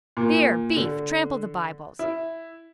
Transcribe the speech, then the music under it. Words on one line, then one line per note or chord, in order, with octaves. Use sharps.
Beer, beef, trample the bibles.
A#2
D3
E4